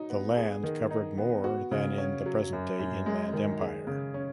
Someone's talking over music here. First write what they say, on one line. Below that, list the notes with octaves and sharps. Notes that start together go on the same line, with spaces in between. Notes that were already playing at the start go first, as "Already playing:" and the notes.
The land covered more than in the present day Inland Empire.
Already playing: F#3 D#4
B3
G#4
D#3
D#4
B3
F#4
C#3
C#4
F#3
F#2
F#2
G#3
D#3
G#4
C#3
C#4